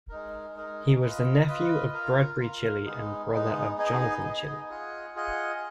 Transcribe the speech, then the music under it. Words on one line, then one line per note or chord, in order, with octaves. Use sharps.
He was the nephew of Bradbury Cilley and brother of Jonathan Cilley.
G#3 D#4 A#4
G#3 D#4 A#4
F4 B4 D#5
F4 B4 D#5
F4 A#4 F5
F4 A#4 F5
G#3 B3 D#4
G#3 B3 D#4
B3 D#4 G#4 D#5
B3 D#4 G#4 D#5
F4 G#4 D#5 F#5
F4 G#4 D#5 F#5